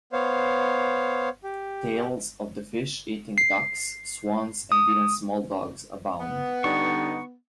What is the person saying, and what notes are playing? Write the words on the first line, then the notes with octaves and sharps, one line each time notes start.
Tales of the fish eating ducks, swans and even small dogs abound.
B3 C5 C#5 F5
G4
C7
D#6
B3
D3 G3 D#4 C#6